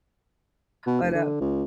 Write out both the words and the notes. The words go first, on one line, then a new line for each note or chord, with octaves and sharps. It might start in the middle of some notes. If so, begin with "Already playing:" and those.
but uh
B2
F1
D3
C#2